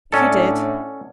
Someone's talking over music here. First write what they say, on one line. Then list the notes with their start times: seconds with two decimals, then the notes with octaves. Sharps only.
"He did."
0.12 A2 C#4 D4 A4 D5 D#5 F#5